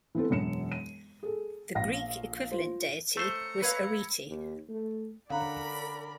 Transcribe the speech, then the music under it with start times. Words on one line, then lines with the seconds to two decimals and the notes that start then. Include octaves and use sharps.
The Greek equivalent deity was Arete.
0.15 E3 B3 C4 A4
0.30 E1 F#2 C#7 E7
0.72 D#7
1.23 G#4 A4
1.75 A#1 F5 A#6
2.52 F4 C5
3.17 A3 C5 A#5 C#7
3.62 B4 C#5 F5 B5 E6 G#6
4.27 D#2
4.69 A3
5.30 D3 C#4 A#4 D5 F5 F#5 A#5 B5